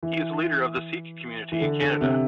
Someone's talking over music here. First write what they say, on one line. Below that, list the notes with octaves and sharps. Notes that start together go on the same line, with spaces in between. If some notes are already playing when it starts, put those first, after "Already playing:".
He is a leader of the Sikh community in Canada.
E3
E3
D3
D3
C3